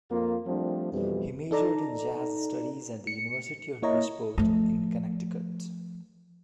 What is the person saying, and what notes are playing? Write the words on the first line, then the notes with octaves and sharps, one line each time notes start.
He majored in jazz studies at the University of Bridgeport in Connecticut.
F2 A#3 F4
F3 G3 A3 C4 D4
F2 B2 E3 G3
D#4 A4 D5 A#5
C#7
A#3 E4 C#5 D#5 A#5
F3 A3